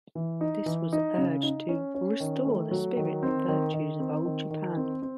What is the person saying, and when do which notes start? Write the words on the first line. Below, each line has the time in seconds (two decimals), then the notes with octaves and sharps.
This was urged to "restore the spirit and virtues of old Japan".
0.15 E3
0.41 D#4
0.66 E3
0.93 D#4
1.18 C#3
1.43 D#4
1.69 C#4
1.95 C#4
2.20 D#3
2.46 A3
2.71 F#3
2.97 D#3
3.23 C4
3.48 D#3
3.74 D#3
4.00 C4
4.25 D#3
4.50 D#3
4.77 C4
5.02 C4